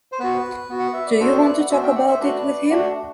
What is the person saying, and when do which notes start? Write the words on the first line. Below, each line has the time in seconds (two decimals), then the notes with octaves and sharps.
Do you want to talk about it with him?
0.12 C5
0.19 B3 F#4 B4
0.70 B3 F#4
0.80 F#5
0.93 E5
1.07 D5
1.19 B3 D4 F#4 A4 C5
1.40 E5
1.45 B4 D5
1.60 F#5
1.70 B3 D4 F#4 C5 E5
1.83 E5 G5
1.95 D5 F#5
2.08 C5 E5
2.20 A3 D4 F#4 B4 D5
2.70 A3 D4 F#4 D5 F#5